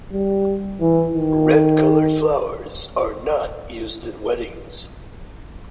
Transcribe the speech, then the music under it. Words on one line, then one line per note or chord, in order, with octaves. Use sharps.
Red colored flowers are not used in weddings.
G3
E3
D#3